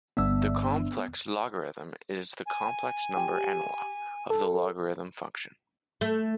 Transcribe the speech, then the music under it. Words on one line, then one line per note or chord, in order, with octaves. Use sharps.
The complex logarithm is the complex number analogue of the logarithm function.
G1 B3 D4 E5 E6
G#5
G4
A4
A3